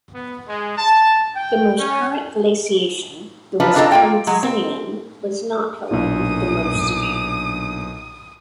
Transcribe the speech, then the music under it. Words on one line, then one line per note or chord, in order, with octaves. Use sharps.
The most current glaciation, the Wisconsinian was not, however, the most severe.
B3
G#3
A5
G5
C#4
F3 D4 D#4 F4 B4
C4 D4 F4 A4 D#5 A#5
A#3 F4 G5
F#3 G#3
C4
B1 A#2 A#3 D4 E4 D#6